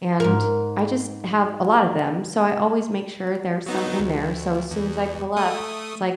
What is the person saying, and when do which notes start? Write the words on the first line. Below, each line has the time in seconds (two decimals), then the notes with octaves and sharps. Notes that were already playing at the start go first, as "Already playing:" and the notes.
and I just have a lot of them, so I always make sure there's some in there, so as soon as I pull up, it's like
0.20 G#2 A#4
3.66 F#3 B3 D#4
3.99 D2
4.71 E2
5.37 A3 D#6